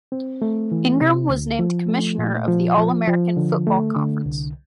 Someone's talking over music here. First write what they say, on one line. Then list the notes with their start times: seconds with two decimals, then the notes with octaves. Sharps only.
Ingram was named commissioner of the All-America Football Conference.
0.12 C4
0.42 A3
0.72 E3
1.01 C3
1.30 D2
1.59 F3
1.89 A3
2.18 A#2
2.48 F3
2.78 F3
3.08 F3
3.37 D3
3.67 A3
3.96 D3
4.26 C2